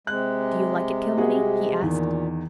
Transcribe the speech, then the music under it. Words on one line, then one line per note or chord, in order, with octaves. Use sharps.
"Do you like it, Kilmeny?" he asked.
C3 G#3 F#6
G3 F#4 G#4
E2 A#2 D#3